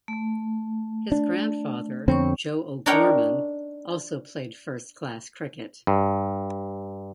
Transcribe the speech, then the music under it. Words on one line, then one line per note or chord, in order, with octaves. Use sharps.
His grandfather, Joe O'Gorman, also played first-class cricket.
A3
D4
F2 D3 B3 C4 C#5 C#6
D4 D#4 A#4 C#5 F#5 G5
G2